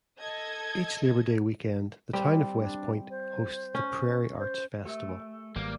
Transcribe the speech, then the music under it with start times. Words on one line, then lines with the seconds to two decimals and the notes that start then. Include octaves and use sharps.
Each Labor Day weekend the town of West Point hosts the Prairie Arts Festival.
0.19 A4 D#5 G#6
2.13 G3 C4
2.59 D4
3.10 C5
3.75 C#4
4.38 C5
4.86 A3 G4 A#4 E5
5.09 G#5
5.56 G#1 G3 A#3 G#4 B4 D5